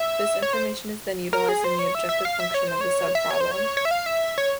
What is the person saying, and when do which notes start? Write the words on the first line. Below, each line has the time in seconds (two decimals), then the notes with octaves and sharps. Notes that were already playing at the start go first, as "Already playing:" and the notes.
This information is then utilized in the objective function of the subproblem.
Already playing: E5
0.42 C#5
0.53 C5
1.33 A#4
1.49 G#4
1.64 C5
1.79 C#5
1.95 E5
2.09 E5
2.25 F5
2.40 E5
2.54 C#5
2.68 C5
2.81 C#5
3.15 E5
3.31 C#5
3.41 C5
3.51 C#5
3.77 C#5
3.85 E5
3.91 F5
4.06 E5
4.38 C#5